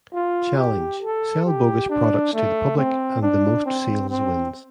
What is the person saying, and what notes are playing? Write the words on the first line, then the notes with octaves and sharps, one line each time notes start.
Challenge: Sell bogus products to the public and the most sales wins.
F4
G4
A4
G4
D4
A3
C4
D4
C4
C4